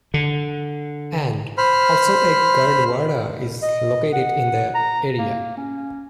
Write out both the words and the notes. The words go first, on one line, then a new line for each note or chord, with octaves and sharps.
And, also a Gurdwara is located in the area.
D3
C5 B5 F6
D#5
F#5
A#5
A#3
C#4